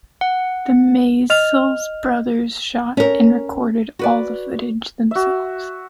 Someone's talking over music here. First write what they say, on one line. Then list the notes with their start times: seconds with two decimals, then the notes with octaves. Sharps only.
The Maysles brothers shot and recorded all the footage themselves.
0.21 F#5
1.30 D#5 F6 F7
2.97 C#4 A#4
3.99 F#4 B4 D5
5.11 F#4 E5